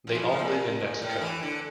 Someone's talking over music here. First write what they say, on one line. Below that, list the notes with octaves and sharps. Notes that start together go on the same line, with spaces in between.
They all live in Mexico.
F3
E3
F3
A2
A#2
A#2
A2
E3
D3